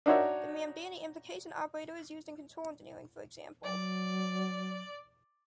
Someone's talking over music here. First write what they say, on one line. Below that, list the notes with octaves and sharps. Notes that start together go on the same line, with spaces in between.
The “Mamdani Implication Operator” is used in control engineering, for example.
D4 D#4 F#4 C#5 E5
F#3 D5